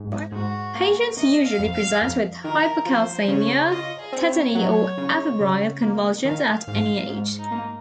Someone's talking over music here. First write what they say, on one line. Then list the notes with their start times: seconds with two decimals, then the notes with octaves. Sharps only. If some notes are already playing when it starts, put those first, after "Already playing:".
Patients usually present with hypocalcaemia, tetany, or afebrile convulsions at any age.
Already playing: G#2
0.32 G#2 F#4
0.74 A#3
1.16 C3 D#5
1.45 F5
1.59 F2
1.73 F5
2.02 F2
2.43 D#3 A#4
2.86 F3 C5
3.28 C#3 C#5
3.71 F4 D#5
3.99 G#4
4.12 C4
4.27 C#5
4.55 F#3
4.97 C#3
5.41 C#3
5.82 A#3
6.24 D#3 F5
6.67 G#2 F5
7.09 G#2
7.38 D#4
7.51 A#3